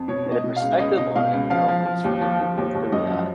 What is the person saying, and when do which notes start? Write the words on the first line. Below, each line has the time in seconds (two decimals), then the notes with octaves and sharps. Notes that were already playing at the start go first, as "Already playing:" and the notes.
and a perspective on it, I I was really thinking through that,
Already playing: F2
0.08 B2 C#5
0.27 B2 D#5
0.44 B2
0.56 F5
0.62 C#2
0.79 C#2 D#5
0.97 B2 D#5
1.15 B2 F5
1.33 C#2
1.50 F3 F5
1.68 F3
1.85 F3
2.04 D#2
2.21 F3
2.40 F3
2.57 D#2
2.75 D#2
2.92 F#2 D#5
3.10 F3